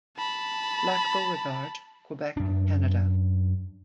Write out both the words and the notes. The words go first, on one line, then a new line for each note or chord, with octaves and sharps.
Lac Beauregard, Quebec, Canada.
A5 B5
F#2 D4